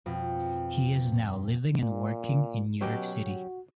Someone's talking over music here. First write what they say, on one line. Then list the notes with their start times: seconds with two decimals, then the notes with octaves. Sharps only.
He is now living and working in New York City.
0.06 F2 B2
1.81 A#2
2.81 B2 F#3 C#4 G4
3.26 F#4